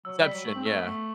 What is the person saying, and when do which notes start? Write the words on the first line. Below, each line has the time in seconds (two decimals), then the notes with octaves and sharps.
Inception. Yeah.
0.05 F#3 E6
0.18 G3
0.25 B6
0.33 F#3
0.45 A3 F#7
0.55 C4
0.65 A3 E6
0.76 B3
0.85 A3 B6